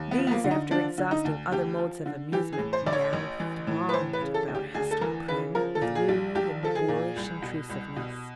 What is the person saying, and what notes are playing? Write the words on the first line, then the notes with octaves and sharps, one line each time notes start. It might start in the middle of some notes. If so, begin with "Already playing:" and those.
These, after exhausting other modes of amusement, now thronged about Hester Prynne with rude and boorish intrusiveness.
Already playing: D#2
B3
F3
B3
A#3
D3
D#4
F3 D4
D3
D#4
D2
D2 G4
F3
D3
E3 G4
G#4
A2
C5
A1 D5
C#5
A1
E3
A2
B4
E3 C5
B4
C#3
A4
D2
G4
D2 G#4
A4
E3 A#4
C#3 B4
F3 A#4
A4
A#2
G#4
A#1
A#1 G4
F3 A4
G#4
A#2
C2
B2
C2
B2